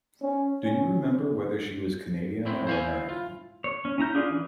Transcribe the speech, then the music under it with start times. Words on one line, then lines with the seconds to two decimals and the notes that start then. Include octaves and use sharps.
Do you remember whether she was Canadian or American?
0.23 C#4
0.64 C#4
2.45 A2 C4 E4
2.67 E4 C5 F5 G#5
3.09 F4
3.64 C#5
3.85 C#4
3.98 C#4 E4 A#5 G6
4.15 C#4 D4 F4 G#4
4.31 E3